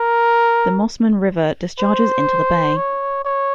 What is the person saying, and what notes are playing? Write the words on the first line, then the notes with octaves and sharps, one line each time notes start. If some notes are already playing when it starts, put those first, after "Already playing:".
The Mossman River discharges into the bay.
Already playing: A#4
C5
C#5
C#5